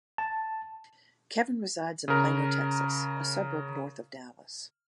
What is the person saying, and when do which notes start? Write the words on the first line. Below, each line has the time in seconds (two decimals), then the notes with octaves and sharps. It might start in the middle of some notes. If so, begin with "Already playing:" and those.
Kevin resides in Plano, Texas--a suburb north of Dallas.
0.18 A5
2.08 C#3 A#4